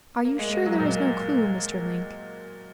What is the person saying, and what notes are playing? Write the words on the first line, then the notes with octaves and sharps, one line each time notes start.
"Are you sure there is no clue, Mr. Link?"
A#3
G#3
A#3
F#3
A#2